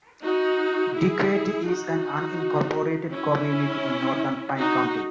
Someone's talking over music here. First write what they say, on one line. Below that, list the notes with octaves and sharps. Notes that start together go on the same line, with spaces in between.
Duquette is an unincorporated community in northern Pine County.
D#4 F#4
E4 G#4
D#4 F#4
C#4 E4
D#4 F#4